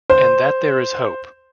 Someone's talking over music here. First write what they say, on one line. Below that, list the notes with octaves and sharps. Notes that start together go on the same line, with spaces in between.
And that there is hope.
C5